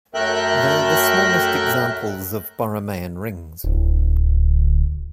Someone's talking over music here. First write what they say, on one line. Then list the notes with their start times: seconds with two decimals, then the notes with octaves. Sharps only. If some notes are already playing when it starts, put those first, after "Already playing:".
They are the smallest examples of Borromean rings.
0.14 F#2 A3 A#4 E5 G5 F#6
3.64 D1